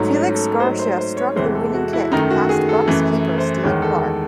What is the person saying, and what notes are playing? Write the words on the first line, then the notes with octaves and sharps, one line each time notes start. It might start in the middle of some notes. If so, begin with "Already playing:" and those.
Felix Garcia struck the winning kick past Bucks keeper Steve Clark.
Already playing: G#2 F#3 A3
C#4
A4
G#2 F#3 A3 C5
C5
C5
C#5
E2 C3 E3 G#3 C5
A4
F#4
E4
F#2 D#3 A3 D#4
F#4
G#4
A4
F#2 E3 A3
C5
E2 D#3 G#3 C#5
A4
A4